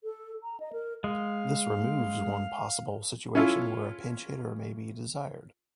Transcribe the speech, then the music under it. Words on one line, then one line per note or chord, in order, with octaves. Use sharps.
This removes one possible situation where a pinch hitter may be desired.
A4
A#5
D#5
A#4
G#3 F5
C#4 E4 F4 A4